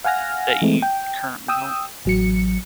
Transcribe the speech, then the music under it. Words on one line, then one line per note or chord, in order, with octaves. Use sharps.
that you currently don't.
F5 F#5 G#5 F6 A#6
E3 G#3 A3 C4
G5
G5 D#6 E6
A1 F#3 C#7